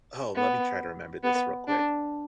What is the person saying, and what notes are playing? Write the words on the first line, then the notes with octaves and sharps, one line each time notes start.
oh, let me try to remember this real quick.
B3
B3
D4